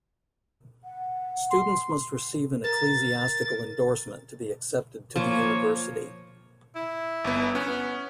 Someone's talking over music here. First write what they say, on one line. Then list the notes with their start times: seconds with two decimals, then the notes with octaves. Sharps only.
Students must receive an ecclesiastical endorsement to be accepted to the university.
0.84 F#5
1.51 C6
2.64 A#4 A6
5.16 F3 A#3 C#5
6.75 E4
7.25 G1 B3
7.55 B3 C#4